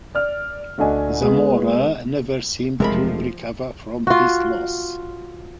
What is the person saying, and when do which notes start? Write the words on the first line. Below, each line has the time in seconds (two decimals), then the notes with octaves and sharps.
Zamora never seemed to recover from this loss.
0.15 D5 F6
0.78 D2 A3 D4 D#5 G#5
1.21 G#3 B3 G#4 B4
2.80 E1 C3 F3 G#3 A3 A#4 B5
4.07 F4 F#4